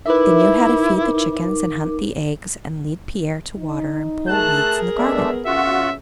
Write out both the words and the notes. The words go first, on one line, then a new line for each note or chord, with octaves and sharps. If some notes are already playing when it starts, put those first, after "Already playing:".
They knew how to feed the chickens and hunt the eggs and lead Pier to water and pull weeds in the garden.
D#4 E4 A#4 B4 E5 D6
D#4
A3 G#4 A#4 A5 F#6
G#3 A3 B3 D4 E5
F2 B2 C#4 F4 F#4 E5 F#5